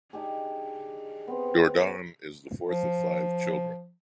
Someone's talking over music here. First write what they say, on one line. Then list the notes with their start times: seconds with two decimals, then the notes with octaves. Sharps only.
Dourdan is the fourth of five children.
0.13 D4 D#4 G4 G#4
1.28 B3 C4
2.64 F3